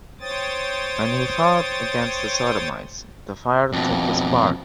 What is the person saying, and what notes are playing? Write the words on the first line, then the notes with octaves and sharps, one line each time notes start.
When he fought against the Sodomites, the fire took his part.
C5 C#5 G5 D#6 A6
F2 B2